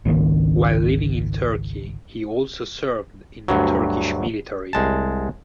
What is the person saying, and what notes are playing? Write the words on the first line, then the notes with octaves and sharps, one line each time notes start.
While living in Turkey he also served in the Turkish Military.
G#1 C#2 D#3 A#3
D2 G2 F#3
C2 G#3 A5